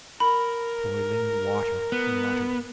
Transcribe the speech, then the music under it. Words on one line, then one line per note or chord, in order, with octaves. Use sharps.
"Boiling water!" he muttered.
A#4 B5
B3